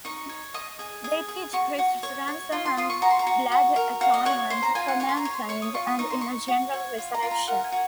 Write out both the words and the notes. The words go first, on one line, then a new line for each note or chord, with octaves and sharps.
They teach Christ's ransom and blood atonement for mankind, and in a general resurrection.
D#4 C#6
C#5
D#5 D#6
G#4
G#4
G#4
F#4 C#6
F#4
C#5
C#5
F4 C6
C6
F4 D#6
C#6
F#4 A#5
C6
A#5
F#4
F#4
A#4
F#4 F5
D#5
C#5 F#5
C5 C6
A#5
F4 G#5
F#5
C#5 G#5
C6
A#5
C#5
C6
C#5 C#6
D#6
F4 C#6
D#6
D#4 C#6
C6
D#4 C#6
F#4
C#5
F4
A#5
F4
A#5
A#4 F#5
G#5
F#4